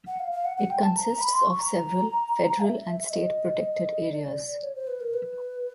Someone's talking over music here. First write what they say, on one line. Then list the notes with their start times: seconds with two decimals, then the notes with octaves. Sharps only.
It consists of several federal and state protected areas.
0.07 F#5
0.20 F5
0.32 F5
0.45 F#5
0.57 F#5
0.70 G5
0.82 A5
0.96 A#5
1.08 A#5
1.20 B5
1.33 C6
1.47 C#6
1.59 A#5
2.60 F5
2.64 E5
3.11 D#5
4.12 D5
4.63 C#5
4.75 C5
4.87 B4
5.01 A#4
5.14 B4